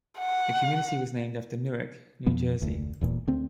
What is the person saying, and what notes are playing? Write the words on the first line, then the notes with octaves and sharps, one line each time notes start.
The community was named after Newark, New Jersey.
F#5
F2 B2 F3 B3
F1 D2
D#1 E2 A#2
D2 C4